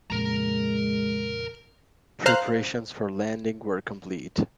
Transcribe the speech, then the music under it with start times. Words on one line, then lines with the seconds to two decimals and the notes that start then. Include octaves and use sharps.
Preparations for landing were complete.
0.10 F2 A#2 C#3 G#3 A#4 A#5
2.26 C5 F5 A#5 F#6